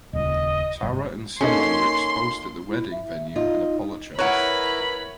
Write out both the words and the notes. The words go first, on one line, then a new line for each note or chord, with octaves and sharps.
Tara and Simran are exposed at the wedding venue and apologize.
D#1 C#2 D#5
G1
A#3 C#4 D#4 A4 C6
E4
E5
D#4 F4 D#5
E4 A#4 B4 C#5 F#5 A#5 B5